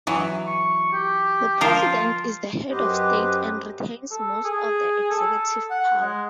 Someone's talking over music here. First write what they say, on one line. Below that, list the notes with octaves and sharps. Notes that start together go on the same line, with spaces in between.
The President is the head of state and retains most of the executive power.
E3 F#3
C#6
G4
F3 F4 A#4 C5
F#2 F#3 G4 B4 C5 D#5
A4
G#4
A4
F#5
G#3